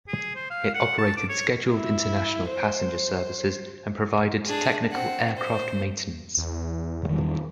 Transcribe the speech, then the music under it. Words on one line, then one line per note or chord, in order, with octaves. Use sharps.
It operated scheduled international passenger services and provided technical aircraft maintenance.
G#4
C5
F5
F#5
A5
D6
C#5
E4
C5
D4 G#4
C4 F#5
C5
E2
D#3 G3